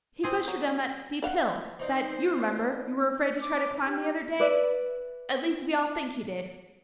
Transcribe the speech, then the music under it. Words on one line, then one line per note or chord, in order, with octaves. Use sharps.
"He pushed her down that steep hill that you remember you were afraid to try to climb the other day; at least we all think he did."
C4 G#4
F#3
D5 F5 F#5
E3 D#4 C5 D5
D6
G4
B4 D5 E5